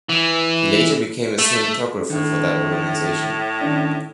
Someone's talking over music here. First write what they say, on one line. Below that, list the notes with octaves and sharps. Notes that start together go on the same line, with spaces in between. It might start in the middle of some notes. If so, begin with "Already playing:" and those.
He later became a cinematographer for that organization.
E3
A3
A2 D3 D#3
D#3 C#4 D4